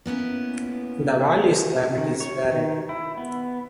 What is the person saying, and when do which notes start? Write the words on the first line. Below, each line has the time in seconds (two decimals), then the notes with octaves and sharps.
The valley's climate is varied.
0.06 A#3 B3 C#4 E4
1.97 D#3
2.20 C#5
2.51 D#3
2.89 E4
3.17 B3